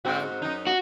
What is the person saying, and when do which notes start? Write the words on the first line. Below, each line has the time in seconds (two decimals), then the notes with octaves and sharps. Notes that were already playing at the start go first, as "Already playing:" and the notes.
Um, uh
0.05 G#2 C4 F#4
0.42 F#2 D#4
0.67 F#4